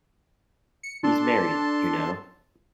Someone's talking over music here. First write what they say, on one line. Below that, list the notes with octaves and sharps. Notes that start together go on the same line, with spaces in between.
He's married, you know.
C#7
D4 A4 A5 C6